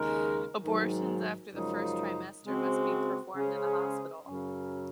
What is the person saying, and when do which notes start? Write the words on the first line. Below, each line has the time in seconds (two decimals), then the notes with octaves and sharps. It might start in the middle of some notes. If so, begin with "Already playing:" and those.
Abortions after the first trimester must be performed in a hospital.
Already playing: D#2 C#3 G#3 D#4 A#4
0.64 G#2 D#3 F#3
1.54 F#2 C#3 F3 G#3 D#4
2.44 C#3 G#3 C4 F#4
3.35 C#3 G#3 C#4 G#4 C5
4.26 F#2 C#3 F#3 C#4